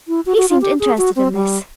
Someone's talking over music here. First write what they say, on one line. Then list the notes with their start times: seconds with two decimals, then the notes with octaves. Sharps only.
He seemed interested in this.
0.08 E4
0.26 F#4
0.37 F#4
0.50 F4
0.62 G4
0.80 G#4
0.98 F#4
1.16 C4
1.33 G3